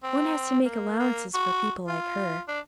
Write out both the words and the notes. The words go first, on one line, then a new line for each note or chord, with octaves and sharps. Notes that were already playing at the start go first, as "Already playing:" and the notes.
One has to make allowances for people like her.
C4
A#3
A#3
F#4
F4
D4